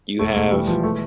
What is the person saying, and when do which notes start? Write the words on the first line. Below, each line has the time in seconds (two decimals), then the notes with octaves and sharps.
you have
0.19 E1 A3
0.36 E1 A3
0.51 E3 G3
0.67 E2 F3
0.83 A3